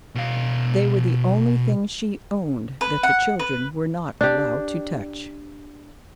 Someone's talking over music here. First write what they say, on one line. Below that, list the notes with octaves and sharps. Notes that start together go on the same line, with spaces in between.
They were the only things she owned that the children were not allowed to touch.
B2 F5
B4
F#5
B4
D4 G4